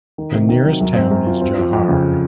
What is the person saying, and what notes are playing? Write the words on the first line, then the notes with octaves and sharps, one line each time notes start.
The nearest town is Jawhar.
D#3
C3
D#3
F#3
F#2
C4
F#2
F4
C4
F3
F2
C#3